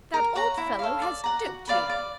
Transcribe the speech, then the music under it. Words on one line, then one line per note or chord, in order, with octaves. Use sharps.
That old fellow has duped you!
A#4
C#5 F#5 A#5
E4
A4 C#5 F5
D5
F#5 A#5
F#4
B4 D5 F5
D5